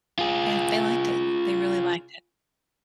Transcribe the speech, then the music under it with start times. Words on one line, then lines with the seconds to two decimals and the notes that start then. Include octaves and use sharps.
Yeah, they liked it. They really liked it.
0.19 F4 G#4